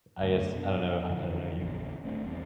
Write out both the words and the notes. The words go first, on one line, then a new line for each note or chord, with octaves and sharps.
I guess, I don't know I I don't know, you
D2
B2 C#4 D4
D3 F3
A#1 E2 D3 C#4
D#1 A3 C4 D4
E1 B1 G3 C4